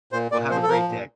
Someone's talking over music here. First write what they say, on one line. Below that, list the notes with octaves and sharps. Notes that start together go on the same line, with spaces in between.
Well, have a great day.
A#2 C5
A#2 D5
F3 C5
A4
F3 A#4
A#2